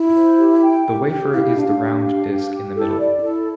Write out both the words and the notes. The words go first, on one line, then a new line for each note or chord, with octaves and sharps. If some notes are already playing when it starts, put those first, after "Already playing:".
The wafer is the round disc in the middle.
Already playing: E4
C5
G4
G5
G4
G4
E4 F5
E4
D4 G4
D4
G4
F5
G4
G4
E4 A4
D5
D4
E4 A4